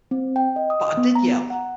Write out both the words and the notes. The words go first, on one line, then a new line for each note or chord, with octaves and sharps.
But I did yell.
C4
G5
D#5
D#6
B3
A#5
F#5